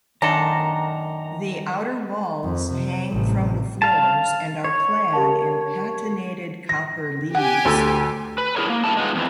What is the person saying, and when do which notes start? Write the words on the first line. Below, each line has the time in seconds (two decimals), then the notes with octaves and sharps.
The outer walls hang from the floors and are clad in patinated copper leaves.
0.22 F#2 A#2 D#3 D4 A4 A#5
2.44 F2
2.74 C3
3.12 A1 C3
3.82 F5 A5
4.64 C#5
5.13 G4 A#4 A5
6.69 A#6
7.35 G4 F#5 G#5
7.65 D2 A4 E6
8.38 B4
8.56 D4 E4 G#4 A#4 C#5
8.69 A#3
8.84 G2 E4 A5
8.97 G#3 B3 D#4 F4
9.15 F2 E3